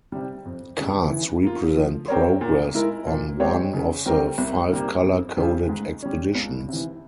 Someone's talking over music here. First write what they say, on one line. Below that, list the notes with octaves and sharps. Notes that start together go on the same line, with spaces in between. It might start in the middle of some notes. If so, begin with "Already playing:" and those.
Cards represent progress on one of the five color-coded expeditions.
C3 G3
F2
C#3 G3
E3
A#3 F4
F3
C4 G4 A#4 C#5
A#2
G#3 E4 A#4
A#2
G#3 C4 G4 C#5
C#3
G3 C4 G4 A#4
C2
C3 G3 A#3
F2
C#3 G3 C4 F4
G#2
G3 C#4
C#2
C3 E3